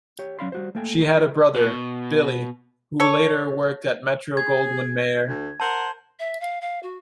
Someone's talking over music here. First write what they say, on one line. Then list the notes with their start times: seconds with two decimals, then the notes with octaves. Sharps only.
She had a brother, Billy, who later worked at Metro-Goldwyn-Mayer.
0.19 G4 C#5
0.39 F#3 C#4 D5 F5 B5 C6
0.52 G3 F#4 C5
0.75 A3 A#3 A4 G5 G#5
1.09 E4
1.56 B2
3.00 A4 C#5
4.37 G#4 G#6
5.27 D2
5.60 A#4 C5 F#5 A5
6.19 E5
6.40 F5
6.61 F5
6.83 F#4